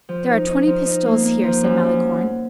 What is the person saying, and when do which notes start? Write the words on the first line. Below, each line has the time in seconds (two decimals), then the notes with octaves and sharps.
"There are twenty pistoles here," said Malicorne.
0.09 F3
0.28 D#4
0.47 D#4
0.67 F3
0.85 D#4
1.06 A#3
1.25 A#3
1.43 F3
1.63 F#2
1.83 F#2